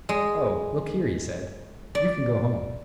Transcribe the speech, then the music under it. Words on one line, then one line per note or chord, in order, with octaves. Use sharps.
"Oh, look here," he said, "you can go home."
G#3
D5